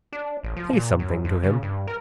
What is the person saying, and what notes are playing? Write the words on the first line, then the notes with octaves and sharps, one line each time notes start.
Say something to him.
D4
A1
F3
A#2
F#2
F2
C#3
G2
A#4